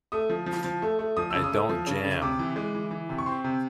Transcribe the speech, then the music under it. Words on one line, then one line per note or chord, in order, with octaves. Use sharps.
I don't jam.
A3 D#6
F3
F3
F3
A3
A3
F3 D#6
C#3 E6
D#6
A3
F3
C#3
C#3
C3 D6
E3
G#3
E3
E3
C3
C#6
C4 C6
C3